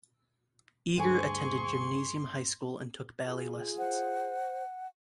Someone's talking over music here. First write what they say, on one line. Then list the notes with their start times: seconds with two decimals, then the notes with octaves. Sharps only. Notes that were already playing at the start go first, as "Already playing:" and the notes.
Eger attended gymnasium high school and took ballet lessons.
0.98 D2 G2 G#4 G#5 C6 C#6
3.27 F4 G#4
3.78 C5 F#5